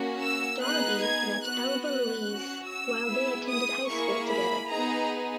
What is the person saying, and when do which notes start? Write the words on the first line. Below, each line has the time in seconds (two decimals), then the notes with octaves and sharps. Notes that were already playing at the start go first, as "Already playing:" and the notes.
Darby met Elva Louise while they attended high school together.
Already playing: A#3 C#4 F#4
0.20 E6
0.61 B3 D#4 G#4 F#6
1.03 G#6
1.43 B3 F#4 F#6
1.84 F#6
2.25 C#4 F#4
2.66 E6
3.06 B3 E4 G#4
3.48 D#6
3.88 A#3 E4 G#4 C#6
4.29 B5
4.69 B3 D#4 G#4 A#5